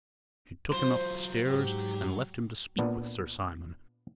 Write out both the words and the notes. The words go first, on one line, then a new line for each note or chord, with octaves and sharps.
She took him up the stairs, and left him to speak with Sir Simon.
F#3 F4 C5
G#2 F#3 G4
A#2 B3 D4